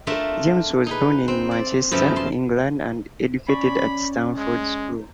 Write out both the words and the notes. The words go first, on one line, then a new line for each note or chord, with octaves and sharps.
James was born in Manchester, England and educated at Stamford School.
A3 D4 F4 A#4 E5
D#4 G#4 B4
C4
D5
F#2 F3 B3 A4 E5 G5
A5 C6
C#4 D5 B5 C#6
G#3